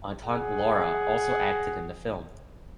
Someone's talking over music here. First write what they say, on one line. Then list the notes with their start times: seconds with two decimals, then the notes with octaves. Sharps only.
Autant-Lara also acted in the film.
0.22 G#4 F#5